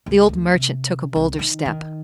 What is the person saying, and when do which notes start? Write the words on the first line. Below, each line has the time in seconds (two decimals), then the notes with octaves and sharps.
The old merchant took a bolder step.
0.06 C#2
0.28 D2
0.54 C3
1.15 C2
1.39 D#3
1.66 D#3